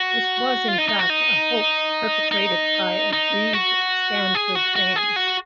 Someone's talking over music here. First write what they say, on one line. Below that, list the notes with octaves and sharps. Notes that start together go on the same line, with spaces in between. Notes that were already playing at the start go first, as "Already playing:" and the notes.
This was in fact a hoax perpetrated by aggrieved Stanford fans.
Already playing: F#4
F4
D#4
D#4
F#4
D#4
D#4
D#4
F#4
G#4
F#4
F#4
G#4
F#4